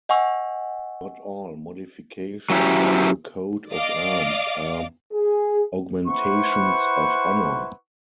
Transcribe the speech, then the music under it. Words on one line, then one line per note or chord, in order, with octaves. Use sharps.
Not all modifications to a coat of arms are augmentations of honour.
D#5 F#5 G#5 C#6 E6
F#3 C#4 E4 G4
D5 D#5 F5 D6
G#4
E4 B4 C5 F#5 C#6